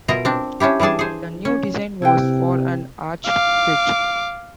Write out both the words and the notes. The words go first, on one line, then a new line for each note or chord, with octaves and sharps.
The new design was for an arched bridge.
B2 F4 A#4 D#5 E5 A#5
C4 D4
C#4 D4 E4 G4
E3 G3 D4 G#4 A5
G#4 C5
C#4
C3 E4 B4 G5
F5 D6